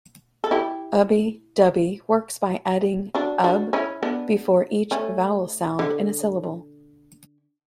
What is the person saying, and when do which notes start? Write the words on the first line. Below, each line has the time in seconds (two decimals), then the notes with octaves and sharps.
Ubbi dubbi works by adding "-ub-" before each vowel sound in a syllable.
0.44 A4
0.51 E4 G4
3.15 D4 F#4
3.44 D4 F#4
3.73 C#4 E4
4.03 B3 D4
4.91 A3 C#4
5.79 D3